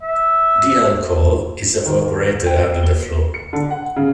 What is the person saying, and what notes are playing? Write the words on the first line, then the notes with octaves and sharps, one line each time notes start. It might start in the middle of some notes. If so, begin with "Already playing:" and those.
The alcohol is evaporated under the flow.
E5
D#3
G5
G7
C#7
D3
F#5
C#3